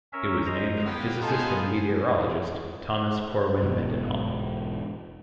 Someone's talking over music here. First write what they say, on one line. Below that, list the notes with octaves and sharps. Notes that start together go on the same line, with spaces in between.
It was named for physicist and meteorologist Thomas Corwin Mendenhall.
C#4 A#4 E5
C5 D#5 A#5
A#3 B3 G4
B3 D#4 F4 G#4 A4 C5
E1 A#1 G#2 B2